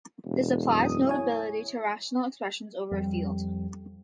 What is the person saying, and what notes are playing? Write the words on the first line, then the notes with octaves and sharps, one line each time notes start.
This applies notably to rational expressions over a field.
E1
F#2 D#6
E4 C#5 G#5
F2 G3